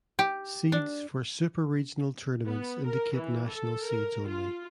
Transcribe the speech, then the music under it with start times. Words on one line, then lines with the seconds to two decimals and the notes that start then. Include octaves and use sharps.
Seeds for super regional tournaments indicate national seeds only.
0.19 G4
0.72 D4
2.46 B3
2.85 A#4
3.15 E3
3.48 A4
3.83 A#4
4.28 F4